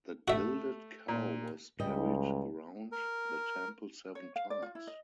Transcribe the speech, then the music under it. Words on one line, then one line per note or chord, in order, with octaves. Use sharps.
The gilded cow was carried around the temple seven times.
A3 F#4 E5
A#2
C#2 G3 D#5
A#4
C#5
F5
D5
F4
E4
D#5